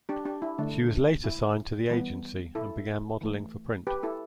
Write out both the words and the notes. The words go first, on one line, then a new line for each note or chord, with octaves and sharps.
She was later signed to the agency and began modeling for print.
D4 G4
D4 G4
E4
D3 A3 D4
E4
E3 G3 B3
E4 A4
E3 A3
G4 B4
E4 A4